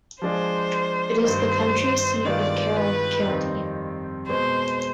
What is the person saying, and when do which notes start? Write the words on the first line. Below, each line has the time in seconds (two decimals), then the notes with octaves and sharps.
It is the county seat of Carroll County.
0.22 F3 G#3 D4 G#4 C5
1.23 G2 D#3 B3 D#4 C5
2.25 G2 D#3 G#3 B3 F4 D5
2.77 B4
3.26 F2 D#3 G3 C4 D#4
4.29 B2 G#3 B3 C5